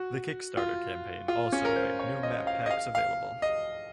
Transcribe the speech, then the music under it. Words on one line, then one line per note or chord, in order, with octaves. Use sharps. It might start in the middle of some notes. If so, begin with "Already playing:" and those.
The Kickstarter campaign also made new map packs available.
Already playing: F#4
F4
F4
C#4
A#4
C5
C#5
D#5
F5
D#5
F5
F5
D#5